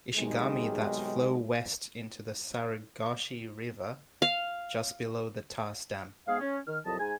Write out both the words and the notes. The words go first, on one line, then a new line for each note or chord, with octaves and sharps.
Ishigami that flow west into the Sarugaishi River just below the Tase Dam.
B1 C3 D#3 G#3
F5
G#2 G#3 B3 G#4 F5
C#4
D#3 F6
C2 F2 F#3 D#5 A5
G#2 G#3 D#4 G#5